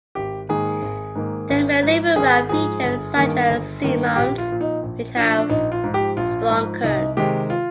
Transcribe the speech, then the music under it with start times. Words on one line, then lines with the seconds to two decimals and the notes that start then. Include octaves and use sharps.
They may live around features, such as seamounts, which have strong currents.
0.15 G#1 G4
0.49 G#2 D#3 A#3 G#4
0.82 G#1
1.15 G#2 D#3 A#3
1.49 G#1
1.82 G#2 F3
2.16 G#1 G#4
2.49 G#2 F3 G#4
2.83 G1
3.16 G2 D#3 A#3
3.49 G1
3.83 G2 D#3 A#3
4.16 A#1 G4
4.38 F4
4.50 A#2 F3
4.61 D#4
4.83 A#1
5.16 A#2 F3 D4
5.38 D4
5.50 A#1 D#4
5.72 F4
5.84 G#2 F3
5.94 G4
6.17 A#1 F4
6.49 G#2 F3
6.83 C2 D#4
7.17 C3 D#3 G#3 G4
7.50 F4